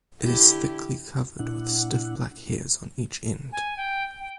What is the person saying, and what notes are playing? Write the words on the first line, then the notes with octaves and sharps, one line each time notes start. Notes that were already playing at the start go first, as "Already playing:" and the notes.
It is thickly covered with stiff black hairs on each end.
D3 E4 G4
A#2 D4 E4 F#5
G#5
G5
G5